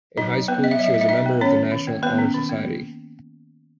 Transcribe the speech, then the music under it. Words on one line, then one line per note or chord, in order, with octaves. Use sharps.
In high school, she was a member of the National Honor Society.
F#3 D#4 D#5
F#3
B3 B4
B3 D#5
E5
F#3 D#5
E5
F#3 D#5
E5
B3 D#4 D#5
B3
D#3 C#4 C#5
C#4
D#3
A#3
D#3 B3 B4
C#4
D#3
A#3